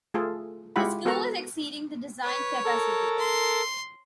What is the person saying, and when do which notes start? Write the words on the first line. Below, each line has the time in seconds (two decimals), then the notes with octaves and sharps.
The school is exceeding the designed capacity.
0.14 A3 F4 G#4 A4
0.76 G#3 E4 F4 G4 F#5 B5
1.05 B3 F#4 A4 A#4 F#5 A#5
2.24 B4 C#5
2.65 A4 A#4
3.18 C6